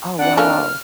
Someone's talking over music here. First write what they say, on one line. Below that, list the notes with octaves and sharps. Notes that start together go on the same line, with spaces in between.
Oh, wow.
F2 D4 F#5
D3 A#3 C#4 F6